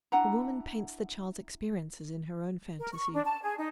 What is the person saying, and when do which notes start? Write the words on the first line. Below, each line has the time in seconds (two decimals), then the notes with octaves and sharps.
The woman paints the child's experiences in her own fantasy.
0.12 D4 E4 F#5 A#5
2.79 A#4
2.93 C#6
3.13 D4
3.25 A5
3.42 G#4
3.58 D#4